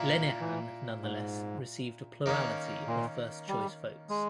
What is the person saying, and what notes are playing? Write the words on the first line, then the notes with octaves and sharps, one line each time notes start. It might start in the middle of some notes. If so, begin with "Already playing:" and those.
Lenihan nonetheless received a plurality of first-choice votes.
Already playing: A#2 A#3 E4
E3
G#2
D#3 A#3 C#4
A#2
G3
G#3